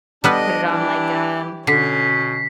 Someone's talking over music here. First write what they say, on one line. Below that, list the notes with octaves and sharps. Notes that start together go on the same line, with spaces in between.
put it on, like, um,
G3 B3 D4 A4 B4 D#5
E3 G4
B2 D3 C#4 B6 C7